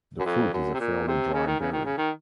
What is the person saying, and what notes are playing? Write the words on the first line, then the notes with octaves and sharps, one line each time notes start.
The fruit is a fairly dry berry.
F#2
F2
F#2
C3
A#2
C3
C#3
D#3
C#3
D#3
C#3
D#3